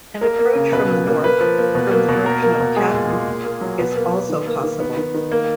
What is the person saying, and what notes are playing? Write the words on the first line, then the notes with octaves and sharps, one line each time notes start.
An approach from the north, from the direction of Caton, is also possible.
A#3 A#4
A#3
C#3
B2 B4
A#3
A#3
A#3 B4
F3
A#3
B2
A#3
B2
A#3 A#4
A#3
B2
G#3 G#4
A#2
A#2
A#2
A#3
F#3
B2 B3
A#3
A#3
D#3
A#3
D#3
D#3 B3
D#3
D#3
A#3